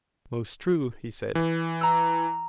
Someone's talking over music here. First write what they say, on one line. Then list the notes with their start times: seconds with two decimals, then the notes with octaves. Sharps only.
Most true, he said.
1.35 E3
1.81 A#5 E6